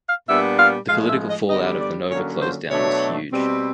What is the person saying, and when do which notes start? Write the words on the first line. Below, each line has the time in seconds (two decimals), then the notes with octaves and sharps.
The political fallout of the Nova closedown was huge.
0.09 F5
0.29 A#2 G3 B3 D4 E5
0.59 F5
0.89 A2 F3 G#3 F5
1.09 E5
1.30 D#5
1.50 D3 G3 B3 D#5
1.80 D5
2.10 D3 F#3 A#3 C#4 C#5
2.41 C5
2.71 B2 F#3 A3 D4 C#5
3.31 B2 G3 C4